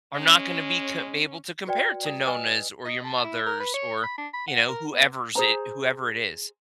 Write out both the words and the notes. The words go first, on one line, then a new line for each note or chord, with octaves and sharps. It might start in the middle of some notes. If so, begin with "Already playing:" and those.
are not gonna be co be able to compare to Nona's or your mother's or, you know, whoever's it whoever it is.
G#3 C#4
F#4 B4 D5 G5
D5 A5 D#6
B4 D#5 G#5 A5 D#6 E6
D#5
A5
E4
A#4
B4
C#5
B5
D4
B5
F#5
A#4
B3
G#4 C5 A#5